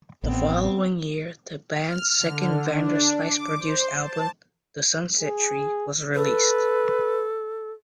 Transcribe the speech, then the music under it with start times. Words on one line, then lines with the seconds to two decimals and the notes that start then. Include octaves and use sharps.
The following year, the band's second Vanderslice-produced album, "The Sunset Tree", was released.
0.23 A1 B3 C4
1.79 F6
2.20 D3
2.67 D4
3.18 D6
3.59 C5
4.01 A5
5.21 G#4
6.15 A4 B4